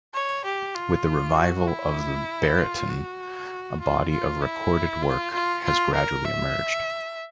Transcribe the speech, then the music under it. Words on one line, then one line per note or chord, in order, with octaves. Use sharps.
With the revival of the baryton, a body of recorded work has gradually emerged.
C#5
G4
F4
F#4
E4
F4
F#4
F4
F4
E4
F4
F4
F4
A#4
E5